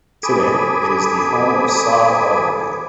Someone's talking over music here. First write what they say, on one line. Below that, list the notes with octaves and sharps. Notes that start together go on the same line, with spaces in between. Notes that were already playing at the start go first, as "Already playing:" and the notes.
Today, it is the home of Saab Automobile.
A4 G#5 B5 D6 D#6